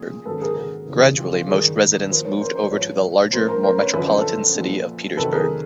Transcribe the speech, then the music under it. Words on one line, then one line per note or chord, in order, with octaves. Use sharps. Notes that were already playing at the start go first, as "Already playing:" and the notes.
Gradually most residents moved over to the larger, more metropolitan city of Petersburg.
Already playing: A#2 F3 G#4
G#2 D#3 F#3 A4 B4
G#4 A#4
F#4 G#4
E2 C#3 E3
F4 G4
F4 G4
G2 D#3 F#3 G#4 A#4
A#2 F3 A#4 C5
B4 C#5
A#4 C5
A#4 C5
G#2 F3 B4 C#5
A2 F3 A#4 C5
A#4 C5
A#4 C5
B4 C#5
F#2 D3 F3 B4
C5
A4 B4
A#2 F3
F2 C3 D#3 F#3 A4 B4
G#4 A#4